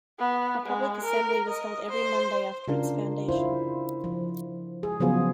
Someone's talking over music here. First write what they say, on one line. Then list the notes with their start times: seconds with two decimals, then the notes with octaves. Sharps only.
A public assembly was held every Monday after its foundation.
0.19 B3
0.66 G#3
1.04 A#4
1.48 D#5
1.89 C5
2.68 C#3 D4 F4 A#4
3.28 E4 F4 C5
4.04 F3
4.83 G#4
5.00 C#3 F3 F#3 B3 F4 G#4